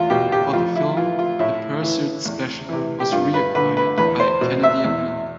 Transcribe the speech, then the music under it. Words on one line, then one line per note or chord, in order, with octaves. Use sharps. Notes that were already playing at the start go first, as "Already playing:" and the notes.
For the film, the Pursuit Special was reacquired by Kennedy and Miller.
Already playing: E2 F4
B2 G4
G4
F2 F4
E4
E3 F4
F4
A2 E4
E3
E2
C3 E3
G4
G2 F4
B4
D3 B4
B4
E2 B4
C5
B2
E5
E2